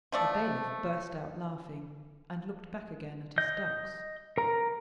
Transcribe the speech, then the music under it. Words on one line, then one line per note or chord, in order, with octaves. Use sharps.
The bailiff burst out laughing, and looked back again at his ducks.
F3 A3 D5
D#5 G6
A#4 A#5